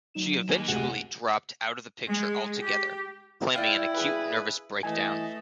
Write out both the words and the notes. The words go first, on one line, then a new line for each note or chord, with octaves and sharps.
She eventually dropped out of the picture altogether, claiming an acute nervous breakdown.
F#3 D#4 E7
A#3 D#5 G#5
D2 C3 G#3 D#5 F#5
G#3
G4
E4 D5 F5 G5
G#4 B4
E3 A3 D#5 G#5